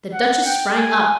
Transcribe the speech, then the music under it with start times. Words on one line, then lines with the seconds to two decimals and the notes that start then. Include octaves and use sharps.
The Duchess sprang up.
0.14 F#5
0.45 G5
0.77 G#5